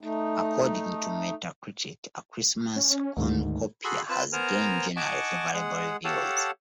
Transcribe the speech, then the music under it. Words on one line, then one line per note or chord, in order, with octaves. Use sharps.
According to Metacritic, "A Christmas Cornucopia" has gained "generally favourable reviews".
A3 D#4
C#4
D2 G#2 D#3
F#4 G#4 A4 B5 C6
C4 F4 B4 A5
B3 A#4 C5 G#5 A#5 F6
D#5 F#5 G#5 A5 C#6 D6
G#3 G#4 F#5
G4 A4 C#5 F5 F#5 A5